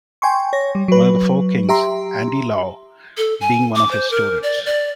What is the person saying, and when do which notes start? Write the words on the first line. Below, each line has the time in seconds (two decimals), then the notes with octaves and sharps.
One of the four kings-Andy Lau, being one of his students.
0.22 G5 G#5 C6 C#6
0.53 C#5 A#6
0.75 G3
0.88 F#3 B4
1.69 G4 E5 A#5 C6
3.17 A4
3.41 G#5
3.76 D6
3.91 C5
4.11 A#4
4.43 D5
4.66 D5